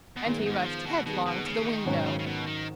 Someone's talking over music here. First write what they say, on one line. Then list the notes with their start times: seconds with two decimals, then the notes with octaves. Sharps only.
And he rushed headlong to the window.
0.16 B2
0.25 A#2 D#3 G#3 B3
0.38 F#2
0.46 G#2
0.59 F#3
0.66 F3
0.86 B2
1.06 B2 D#3 G#3 B3
1.26 B2
1.46 C#3
1.66 D#3
1.86 G#2 B2 D#3 F#3 C#4
2.06 C#3
2.19 C#3
2.26 B2
2.47 D#3